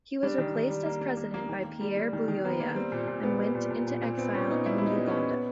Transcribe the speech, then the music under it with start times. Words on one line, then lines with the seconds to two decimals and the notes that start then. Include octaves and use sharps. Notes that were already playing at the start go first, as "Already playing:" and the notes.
He was replaced as president by Pierre Buyoya, and went into exile in Uganda.
0.23 G3 D4
0.38 D#3
0.55 D#3
0.70 G3
0.86 A#3
1.01 A#3
1.17 A#3
1.34 A#3
1.49 D#3
1.64 A#3
1.81 G3
1.97 G3
2.13 D#3
2.28 D#3
2.44 A#3 B3
2.60 A#3
2.76 G3 C4
2.92 A#2
3.08 A#2
3.23 B3
3.39 G3
3.55 A#2
3.71 A#2
3.87 A#2
4.02 A#2 C4
4.18 B3 C4
4.34 A#2 C#4
4.50 B3 D#4
4.66 G3 E4
4.78 E4
4.82 G3 D#4
4.97 B3
5.07 C#4
5.13 B3
5.29 B3